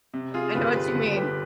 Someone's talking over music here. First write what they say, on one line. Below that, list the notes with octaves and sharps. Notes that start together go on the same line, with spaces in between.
I know what you mean,
C3
F4 G#4
G1 G4 B4
G4 B4
G1
G4 B4